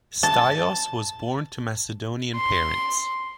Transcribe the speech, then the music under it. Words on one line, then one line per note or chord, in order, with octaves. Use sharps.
Staios was born to Macedonian parents.
A5
C6